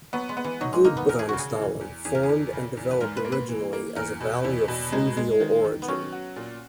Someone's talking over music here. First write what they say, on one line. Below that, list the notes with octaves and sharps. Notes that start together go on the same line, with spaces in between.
Gudbrandsdalen formed and developed originally as a valley of fluvial origin.
F#3 B3
G#3
B3
E3
F#3 D#4
G#3
A#3 D#4
B3
E2 A#4
G#4
C#3 F#4
G#4
E3
E2
E2 G#4
A#4
G#4
E2
C#3
E2
B4
G#2 A#4
B4
A#3
B4
E3
A#3
E2 A#4
B2
E2 E4
B2
G#3 D#4
G#3
D#3
D#3
B3
F#3 C#4
F#4
A#2